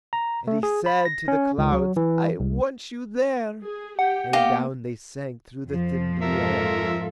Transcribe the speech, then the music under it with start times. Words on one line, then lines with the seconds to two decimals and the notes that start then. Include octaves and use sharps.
And he said to the clouds, "I want you there." And down they sank through the thin blue air.
0.13 A#5
0.47 A3
0.63 G#4
0.86 B5
1.05 A#6
1.28 C#4
1.58 C#2
1.72 F#3
1.97 E3
2.40 C2
3.62 G#4
3.99 G4 F#5 G5
4.33 A#3 B3 G4 D#5 F5
5.64 F2 F3
6.22 G#2 F4 A4 A#4 E5